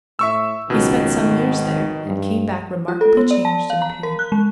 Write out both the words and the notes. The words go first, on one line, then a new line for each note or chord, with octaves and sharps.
He spent some years there and came back remarkably changed in appearance.
A2 E5 C#6 E6
C#2 B2 D#3 F#3
G#1
G2
F4
A4
B3
D5
A5
F5
A#5
A#4
F#6
G#3